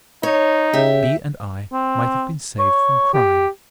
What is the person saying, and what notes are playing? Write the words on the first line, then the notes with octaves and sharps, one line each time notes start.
B. and I might have been saved from crime.
D#4 C#5
C#3 G4 E5
C4
C#5
G4